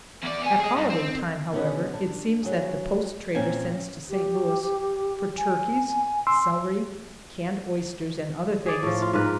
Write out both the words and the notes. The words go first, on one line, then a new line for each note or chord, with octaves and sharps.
At holiday time, however, it seems that the post trader sends to St. Louis for turkeys, celery, canned oysters, and other things.
E2 D5
B3 G#5
G#4 D#5
G2
C4
B2 D3 B3 C#4 G#4 B4
D4
F#3 F#4 G#4
A#2 C4 C#4 G5 G#5
G4
G#5
C6 E6
G#4 D5
A2 F3
F4
G#2 F4 A#4 B4